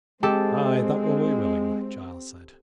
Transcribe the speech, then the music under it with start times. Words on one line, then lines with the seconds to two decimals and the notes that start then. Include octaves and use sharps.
"Aye, that will we willingly," Giles said.
0.23 G#3 C4 G4 A4